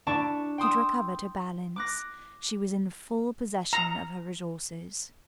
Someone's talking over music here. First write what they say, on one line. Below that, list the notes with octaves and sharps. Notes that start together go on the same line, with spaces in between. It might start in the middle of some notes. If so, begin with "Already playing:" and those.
She had recovered her balance; she was in full possession of her resources.
D4 E4 D5 A5 C#6
G5 C6 D#6 E6
D6 F#6 A#6
A#5